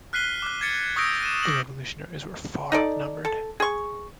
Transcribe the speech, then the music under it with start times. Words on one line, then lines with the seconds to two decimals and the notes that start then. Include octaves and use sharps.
The revolutionaries were far outnumbered.
0.13 F6 F#6 B6 C7 D#7 G7
0.42 D6 F#6
0.61 G#6 A6 C#7
0.96 C#6 D#6 E6 G6 A#6 D7
1.23 D#7 E7
1.43 D6 A#6 F#7
2.72 D#4 A4 D5
3.25 A4
3.60 G#4 C#6